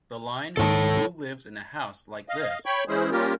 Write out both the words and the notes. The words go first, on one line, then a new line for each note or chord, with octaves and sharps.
The line Who lives in a house like this?
C#2 G#2 D#3 A4 C#5 A5
D#5 F5
C#5 G5 B5 C#6
E3 G#3 C#4 E4 G#4 C5
G3 A#3 C#4 F4 G4 A#4